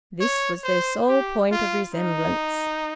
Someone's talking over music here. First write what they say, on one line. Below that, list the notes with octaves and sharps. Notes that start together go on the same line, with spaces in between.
This was their sole point of resemblance.
C#5
C5
G4
F4
D#4